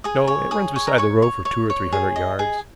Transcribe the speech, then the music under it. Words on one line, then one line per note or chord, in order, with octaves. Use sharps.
"No, it runs beside the road for two or three hundred yards."
G#4 D#6
C#5
G#4 D#6
C#5
A#5
C#5 C#6
C#5
C#5
C#5
G#4
D#5
G#4